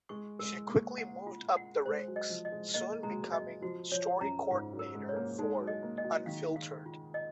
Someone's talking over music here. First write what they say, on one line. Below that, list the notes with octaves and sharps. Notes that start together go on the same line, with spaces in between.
She quickly moved up the ranks, soon becoming story coordinator for "UnFiltered".
G#3 C#6
G#3 A#4
A#3 C#6
F#5
F4
F#5
G#3 C5
F#3
D#5
F3
D#5
G#3
A#3 D#5
G#3 A#5
F#3
G#3
F#3 D#5
F3 F#4
F3 C#5
F#2 A#5
G#2 F4
F#3
A#4
G#3
C#5
A#3
G#3 D#4
F#3
D#5
A#3
D#5
F#3
D#3 F5
F5
F4
D#5